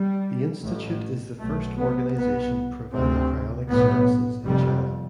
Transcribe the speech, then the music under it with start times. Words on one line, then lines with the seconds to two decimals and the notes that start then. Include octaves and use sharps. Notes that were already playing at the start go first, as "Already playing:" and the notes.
The institute is the first organization providing cryonics services in China.
Already playing: G3
0.63 A1 A2
1.40 B1 B2 A3
1.79 B3
2.16 C2 B2 B3
2.93 D2 C3 C4
3.69 B1 A2 B3
4.46 F1 F2 C3 G3